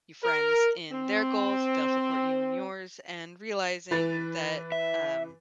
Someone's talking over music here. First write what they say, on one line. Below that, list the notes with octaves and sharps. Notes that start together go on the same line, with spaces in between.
your friends, in their goals, they'll support you in yours and realizing that, um
A#4
C4
E3 B4 A6
E5